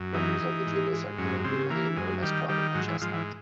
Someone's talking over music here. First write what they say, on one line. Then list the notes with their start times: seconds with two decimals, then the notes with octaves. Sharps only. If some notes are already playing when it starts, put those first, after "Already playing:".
Members of the genus are colloquially known as tropical chestnuts.
Already playing: F#2
0.13 E3 D#4
0.40 E3
0.67 G#2
0.93 G#2
1.18 F#2 C#4
1.44 C#3 C4
1.70 E3 A#3
1.97 F#2 G#3
2.22 D#3 G3
2.49 D#3 G3
2.74 G#2 F#3
2.88 E3
3.01 G#2 F3
3.13 E3